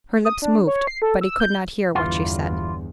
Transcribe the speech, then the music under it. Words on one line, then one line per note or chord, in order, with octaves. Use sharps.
Her lips moved, but he could not hear what she said.
D#6
D4
C#5
C7
A4
E6
G6
G1 E2 E3 F4